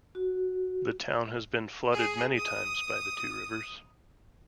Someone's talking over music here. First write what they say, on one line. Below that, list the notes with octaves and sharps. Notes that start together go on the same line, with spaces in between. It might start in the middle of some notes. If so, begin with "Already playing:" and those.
The town has been flooded many times by the two rivers.
F#4
G#4
D#6